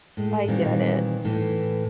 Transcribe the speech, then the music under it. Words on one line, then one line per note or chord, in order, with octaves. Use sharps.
I get it.
A2 G#3
A#2 D#3 E3 G3 C4
A2 E3